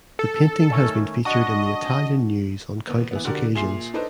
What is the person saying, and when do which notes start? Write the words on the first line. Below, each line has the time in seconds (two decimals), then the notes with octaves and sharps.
The painting has been featured in the Italian news on countless occasions.
0.19 A4
0.70 D#3 A3 C#4
1.25 D4 F#4 D#5
2.88 D#2 B3
3.11 E3 B3
3.25 D3 F#4 G4 A#4 D5
3.55 A#2 G#4 E5 C6 C7
3.94 D4 D#4 A4 B4 C5 D#5